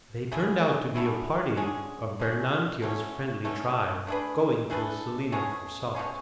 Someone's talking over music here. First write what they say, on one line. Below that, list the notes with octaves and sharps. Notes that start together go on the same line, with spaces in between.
They turned out to be a party of Bernantio's friendly tribe, going to a salina for salt.
D3 A3 E4 G#4
D3 A3 E4 G#4
D3 G#3 C#4 G#4
D3 G#3 C#4 G#4
B2 A3 C#4
B2 A3 C#4
A3 D4 G#4 B4
A3 D4 G#4 B4
B2 A3 C#4 G#4
B2 A3 C#4 G#4